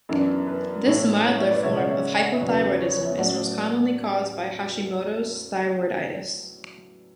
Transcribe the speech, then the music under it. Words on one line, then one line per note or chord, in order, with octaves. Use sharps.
This milder form of hypothyroidism is most commonly caused by Hashimoto's thyroiditis.
F#2 E3 B3 D4
B4
A2 E3 A3 E4 C#5
C#5
C#5 E5
B4 D5
C#3 G#3 C#4 C#5 E5
D5 F#5
C#5 E5
G#5
F#5
E5
E2 C#3 F#3 B3 B4 D5
C#5
C#5
C#5 E5
A2 F#3 A3 C#4 D5 F#5